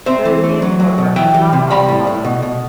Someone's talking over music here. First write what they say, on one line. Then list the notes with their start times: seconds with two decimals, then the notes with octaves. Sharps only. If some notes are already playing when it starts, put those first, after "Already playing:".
The reviews, however, were not all positive.
0.06 C4 C5 E5
0.25 E3
0.44 A3
0.62 F#3
0.80 F#3
0.98 B2
1.16 E3 E5 G5
1.34 E3
1.53 C3
1.70 G3 G5 B5
1.89 A2
2.07 A2
2.24 B2
2.43 B2